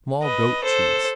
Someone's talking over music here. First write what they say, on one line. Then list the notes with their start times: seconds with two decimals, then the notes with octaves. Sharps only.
Small goat cheese.
0.22 B4 D#5
0.63 A4 C5